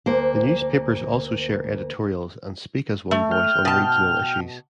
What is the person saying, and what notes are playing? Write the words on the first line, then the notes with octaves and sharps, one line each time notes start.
The newspapers also share editorials and speak as one voice on regional issues.
D2 A#3 C5
A3
G5 F6
B2 A5